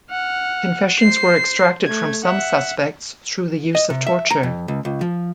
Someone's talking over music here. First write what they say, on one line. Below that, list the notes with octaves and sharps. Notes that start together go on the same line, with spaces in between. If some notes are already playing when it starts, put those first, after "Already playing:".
Confessions were extracted from some suspects through the use of torture.
F#5 F6
C5 C7
A3 G#6
E5 F#5
D#5
C3
E5
A#5
F2
C#2
C#2
F3